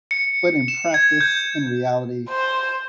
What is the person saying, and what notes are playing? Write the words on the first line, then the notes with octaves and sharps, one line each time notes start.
but in practice, in reality,
C#7
E7
G#6
G6
C5